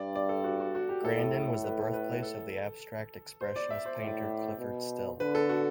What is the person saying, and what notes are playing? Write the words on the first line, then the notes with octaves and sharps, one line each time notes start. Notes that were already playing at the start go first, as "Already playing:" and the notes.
Grandin was the birthplace of the abstract expressionist painter Clyfford Still.
Already playing: G2 D5
D5
A4
F#4
F#4
F#4
G4
A2 A4
A4
B4
B4
A4
C5
D5
E5
C5
A2
B2
D3 B4
A4
F#4